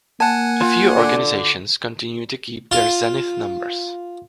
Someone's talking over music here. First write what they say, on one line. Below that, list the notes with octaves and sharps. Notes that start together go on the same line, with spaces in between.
A few organizations continue to keep their Zenith numbers.
A#3 F#5 G#5 A5
F4
D3
F4